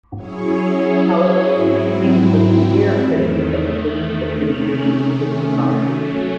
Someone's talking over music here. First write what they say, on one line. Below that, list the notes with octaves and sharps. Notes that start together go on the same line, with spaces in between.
However, he was a severe critic of the Bush Administration's fiscal policy.
F#3 C#4 E4 G#4 C#5
G#2 F#3 C4 E4
E2 D#3 A3
C3 D#3 A3 C#4
F#3 A3 C#4